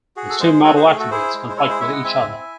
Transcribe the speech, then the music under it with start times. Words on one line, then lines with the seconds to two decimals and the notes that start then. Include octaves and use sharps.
These two model attributes conflict with each other.
0.16 F#4 G#4
0.29 A4
0.40 G#3 G#4 C5
0.64 F#4 A4 C#5
0.76 G#4 C5
0.87 A3 G#4
1.00 F#4 A4
1.11 E4 G#4 C5
1.34 G#3
1.49 C5
1.57 E4 A4 C#5
1.69 G#4 C5
1.80 G#3 C#5 E5
1.87 G#5
1.92 D#5 F#5
2.04 C4 E5 G#5
2.28 E4